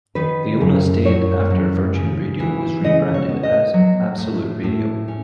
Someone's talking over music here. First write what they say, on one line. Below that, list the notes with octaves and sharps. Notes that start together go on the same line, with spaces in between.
Leona stayed after Virgin Radio was re-branded as "Absolute Radio".
D#3 B4
F#2
F#2 C#5
F#2
C#3
E3
C#3 D#5
C#5
B3
D#5
F#3
A2
A2
C#4